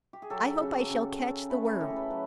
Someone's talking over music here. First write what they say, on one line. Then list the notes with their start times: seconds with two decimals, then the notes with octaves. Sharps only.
"I hope I shall catch the worm."
0.13 G4
0.22 G#4
0.30 F#3 G4 A4
0.60 C#3
0.90 C#3
1.21 C#3
1.50 A3 A4 B4
1.65 G#4 A#4
1.80 A2 G4 A4
1.96 A4 B4
2.10 F#3 B4